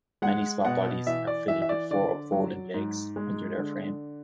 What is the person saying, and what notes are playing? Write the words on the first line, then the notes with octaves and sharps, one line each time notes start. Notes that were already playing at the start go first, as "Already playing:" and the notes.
Many swap bodies are fitted with four up-folding legs under their frame.
G#3 F#5
B2 F#5
E3 E5
D5
E3 E5
E5
D5
D3 D5
F#3
G#2
G#3
D3